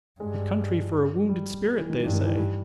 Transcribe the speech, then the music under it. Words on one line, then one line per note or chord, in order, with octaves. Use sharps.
The country for a wounded spirit, they say.'
G2 G#3
G3
G3
E3
D#3
G2 D#3
E3
D#3
E3
G3